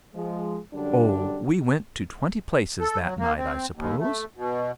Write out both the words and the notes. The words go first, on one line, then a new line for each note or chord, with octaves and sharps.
O, we went to twenty places that night, I suppose!
F3 G#3
F#2 D3 G3 D4
A4
F#3
A#3
C4
D#2
A3
B2